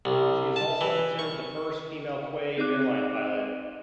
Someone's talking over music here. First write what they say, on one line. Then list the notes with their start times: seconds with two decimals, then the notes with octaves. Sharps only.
She is also considered the first female Kwe airline pilot.
0.05 C2
0.56 A5
0.81 E3
1.19 C#6
2.57 C4 D#4 G#4 D5 D6 F#6